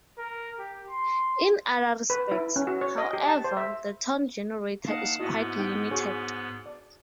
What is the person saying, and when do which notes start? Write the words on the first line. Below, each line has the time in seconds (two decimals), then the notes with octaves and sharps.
In other respects, however, the tone generator is quite limited.
0.18 A#4
0.59 G4
0.90 C6
2.10 B4
2.31 E4
2.56 C#4
2.67 F#4
2.81 C#5
2.98 D#5
3.13 G4
3.28 A5
3.44 C5
3.57 E5
4.86 A#3 D#4 D#5 F5 F#5 A5
5.19 G#2 B3 E4 F#4 D#5
5.57 D#4 G5
5.91 F#4 G#4 C#5
6.66 D5